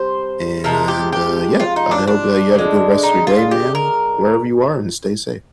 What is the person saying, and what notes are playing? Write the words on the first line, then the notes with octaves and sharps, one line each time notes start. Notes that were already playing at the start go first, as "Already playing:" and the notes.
and, uh, yeah, I hope that you have a good rest of your day, ma'am, wherever you are, and stay safe.
Already playing: C3 G3 C5
C3 F3 G#3 A#4
G4
G4
F4
D#4
D4
D4
D3 G#3
D#4
F4
G4
A#4